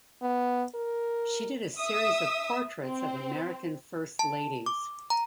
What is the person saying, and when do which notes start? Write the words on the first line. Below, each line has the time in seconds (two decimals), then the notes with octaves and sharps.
She did a series of portraits of American First Ladies.
0.22 B3
0.74 A#4
1.77 E5 D#6 E6
2.84 C4
4.19 A5
4.66 D6
5.10 A#5